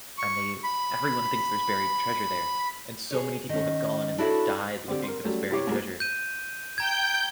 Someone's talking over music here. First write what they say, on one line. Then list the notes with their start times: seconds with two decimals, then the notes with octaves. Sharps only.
and they everyone thinks there's buried treasure there, and so many people have gone and, like, died looking for this buried treasure,
0.18 C#6
0.63 B5
3.11 G#4 C#5
3.49 D#3 C#4
4.18 D4 E4 F#4 A4 C#5 E5
4.88 D3 C4 G4
5.04 A#4 C6
5.24 F#3 G3 A3 C#4
5.50 C3 E4 G4 C#5 D6
5.67 G#2 F#3 G#3 A#3
6.00 G6 D#7
6.78 G5 A#5 G6 G#6